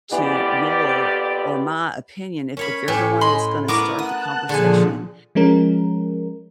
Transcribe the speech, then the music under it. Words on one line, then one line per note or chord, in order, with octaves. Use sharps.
to your, or my opinion. If if they're the one that's gonna start the conversation,
F2 E3 B3 G4 D5
C#4 A#4 C#5 B5
A2 G4 C#5 G#5
D#5 B5 C6
B3 D4 E4 A#4 C#6 D6
F#5 A5 D#6 F#6
A#2 D3 F3 A3 G#4 G#5
F3 G#3 C#4 A#4